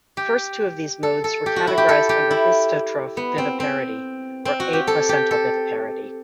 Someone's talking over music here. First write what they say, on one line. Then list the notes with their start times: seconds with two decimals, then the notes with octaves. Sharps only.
The first two of these modes were categorized under histotroph viviparity, or aplacental viviparity.
0.17 G4
1.03 A4
1.24 A4
1.46 G4
1.56 F#4
1.67 E4
1.78 G4
1.89 A4
2.09 G4
2.31 E4
3.17 B3
3.38 C4
3.60 C4
4.45 C4
4.60 F#4
4.73 G4
4.87 A4
5.09 G4
5.31 A4